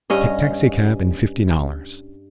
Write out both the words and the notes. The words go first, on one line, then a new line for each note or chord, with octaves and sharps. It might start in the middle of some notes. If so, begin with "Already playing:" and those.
Take taxicab and fifty dollars.
G2 C#4 D#5